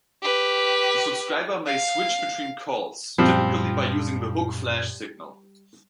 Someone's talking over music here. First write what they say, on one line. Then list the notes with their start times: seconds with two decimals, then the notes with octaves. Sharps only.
The subscriber may switch between calls, typically by using the hook flash signal.
0.22 G4 B4
1.66 F5
3.18 F#2 A#2 F3 G3 C4